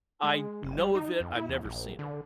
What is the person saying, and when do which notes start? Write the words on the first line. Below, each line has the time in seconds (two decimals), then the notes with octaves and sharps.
I know of it. I've never seen it.
0.23 G#3
0.63 F#1
0.78 G3
0.95 D#4
1.20 F2
1.36 E4
1.49 E2
1.65 A#1
1.99 D3